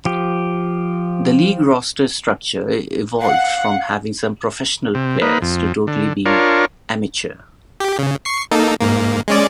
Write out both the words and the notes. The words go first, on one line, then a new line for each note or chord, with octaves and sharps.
The league roster structure evolved from having some professional players to totally being amateur.
F3 G4
F5 F#5
C3
A#3 D#4 B4
F2
D3
D4 F4 A#4 C#5
G4
C#3
C#6 C7
A#3 D#4 A4
G#2 A#3
G#3 C#4 D5